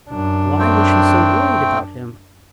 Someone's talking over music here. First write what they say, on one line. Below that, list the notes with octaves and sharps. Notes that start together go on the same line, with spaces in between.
Why was she so worried about him?
F#2 D4
A3 C4 G5